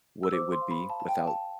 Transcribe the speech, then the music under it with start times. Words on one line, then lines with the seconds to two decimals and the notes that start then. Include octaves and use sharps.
what it would be, without,
0.23 E6
0.33 C5 D6
0.52 C6
0.61 F5
0.71 B5
0.90 F5 A5
1.00 A5
1.09 G5
1.18 F5
1.27 A5